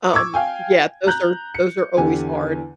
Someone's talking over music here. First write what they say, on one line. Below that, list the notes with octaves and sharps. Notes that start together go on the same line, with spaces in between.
Um, yeah, those are those are always hard.
C#6 D6 E6 G#6
F5 G5 G#5
A#5 F#6 G6
C#7
E2 D3 G4 G#5